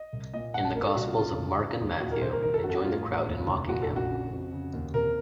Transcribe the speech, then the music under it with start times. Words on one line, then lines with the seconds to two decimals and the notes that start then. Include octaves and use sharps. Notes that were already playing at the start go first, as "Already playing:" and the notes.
In the Gospels of Mark and Matthew, they join the crowd in mocking him.
Already playing: D#5
0.13 C2
0.33 A#2 D#5
0.54 A#1 F#5
0.65 A5
0.75 A#2 A#4
0.86 A4
0.96 C2 F#4
1.07 F4
1.17 C#3 F4
1.38 C#2
1.59 C#3
1.81 D#2
2.01 A#2 F#4
2.11 A#4
2.21 C2 C5
2.32 A#4
2.42 D#3 A#4
2.54 A4
2.64 F2 F#4
2.70 A4
2.74 F#4
2.85 A2 F4
3.06 A1
3.26 D#2
3.47 F1
3.68 A#2 F#4
3.82 A4
3.89 A#1
3.96 F#4
4.10 C#3
4.31 F2
4.52 C#3
4.73 D#2
4.94 C3 A#4